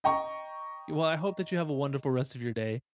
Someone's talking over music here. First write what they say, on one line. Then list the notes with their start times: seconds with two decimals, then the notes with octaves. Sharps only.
Y well, I hope that you have a wonderful rest of your day.
0.04 D#5 G5 A#5 C#6